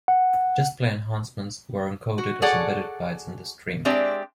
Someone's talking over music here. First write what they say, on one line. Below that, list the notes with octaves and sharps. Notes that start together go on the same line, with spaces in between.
Display enhancements were encoded as embedded bytes in the stream.
F#5
F#4
F#4 G#4 A4 C#5 D5 F#5
G#3 C4 D4 G4 D5 E5